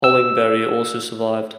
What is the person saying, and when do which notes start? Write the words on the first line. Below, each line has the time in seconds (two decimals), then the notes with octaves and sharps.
Hollingbery also survived.
0.04 E6